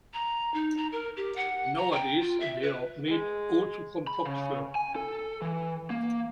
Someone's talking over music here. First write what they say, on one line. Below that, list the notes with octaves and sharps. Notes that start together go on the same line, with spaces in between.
Nowadays they are made also from fox fur.
A#5
D#4
A#5
A#4
G4
F#5
A#5
G5
F4
E5
B4
G#3
B5
C#3
G#5
A4
E3
A#3